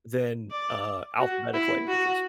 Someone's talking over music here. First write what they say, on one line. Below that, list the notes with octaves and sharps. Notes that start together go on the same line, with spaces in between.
then, uh, alphabetic languages.
D5
F#4
E4
F#4